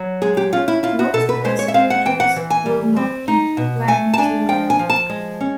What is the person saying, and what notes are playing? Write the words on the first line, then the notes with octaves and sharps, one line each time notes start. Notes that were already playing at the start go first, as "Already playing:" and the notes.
Most accipitrids will not eat plant material.
Already playing: F#3
G#3 G#4
G4
C#4 F4
E4
E4 F4
F#4
B2 A4
B4
G#3 C5
C#5
E5
C4 F5
F#5
E3 G5
F#5
E3
G#5
G3
C4
D#4
B2
A3 G#5
A5
D4 G#5
F3 G5
G#5
F3
A5
G#3
C#4